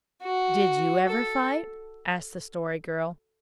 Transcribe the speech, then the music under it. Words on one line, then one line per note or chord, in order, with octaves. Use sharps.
"Did you ever fight?" asked the Story Girl.
F#4
A4